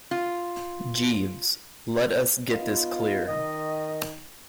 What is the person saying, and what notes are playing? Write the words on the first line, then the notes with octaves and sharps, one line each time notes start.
Jeeves, let us get this clear.
F4
B3 D#4 F4
D#3 D#5